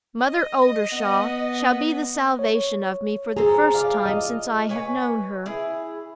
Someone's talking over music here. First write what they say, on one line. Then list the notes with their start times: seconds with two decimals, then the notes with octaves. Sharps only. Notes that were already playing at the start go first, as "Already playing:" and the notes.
Mother Oldershaw shall be the salvation of me for the first time since I have known her.
0.24 D#5
0.93 B3
2.39 C#5
3.36 G#4 A4 C5 A#5
3.74 F4 D5 F5
4.06 D#5
4.69 B4 C#5 G#5
5.46 E4 G#4